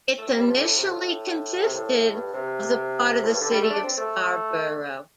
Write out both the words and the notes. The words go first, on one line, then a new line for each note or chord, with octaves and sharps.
It initially consisted of the part of the City of Scarborough.
A3
C4
G3
F3
D3
A2
C3
A2
C3
A2
G2
C3
A2
G2
D3
G3
A3
D4
C4
A3